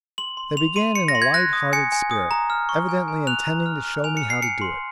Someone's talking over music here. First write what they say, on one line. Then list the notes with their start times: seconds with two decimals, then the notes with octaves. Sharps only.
They began in a light-hearted spirit, evidently intending to show me how to do it.
0.18 C6 F#7
0.37 C6
0.57 C6 F7
0.76 C6 D#7
0.95 C6 C#7
1.08 A#6
1.15 C6
1.22 G#6
1.34 F#6 A#6
1.53 D#6
1.73 G#5 C#7
1.92 G#5
2.11 D#6
2.31 A#5
2.50 F6
2.69 C#6
2.89 G#5
3.08 G#5
3.27 F#6 F7
3.47 A#5
3.66 F6
3.84 F6
4.04 G#5 F7
4.17 C#7
4.23 F6
4.30 C7
4.42 G#5 C#7
4.61 C6